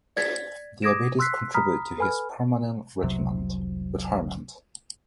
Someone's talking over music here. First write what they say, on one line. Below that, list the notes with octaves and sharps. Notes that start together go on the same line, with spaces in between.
Diabetes contributed to his permanent retirement.
D5 G#6 A6 B6
D6 D#6 G#6 A#6 D7 E7
C6 E6 F#6 B6 C7
A#5 B5 D#6 F6 B6
A4 B4 G#5 B5 F6
F1 C2 C3 F#3